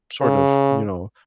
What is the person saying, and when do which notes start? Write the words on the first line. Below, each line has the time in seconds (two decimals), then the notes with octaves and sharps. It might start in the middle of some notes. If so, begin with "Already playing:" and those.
sort of, you know,
0.21 C#3